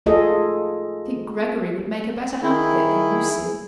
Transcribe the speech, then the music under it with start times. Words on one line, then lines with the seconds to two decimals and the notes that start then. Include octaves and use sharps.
"I think Gregory would make a better hand of it than Lucy."
0.06 A3 F4 G#4 A4 D#5
2.42 D#3 E4 G#4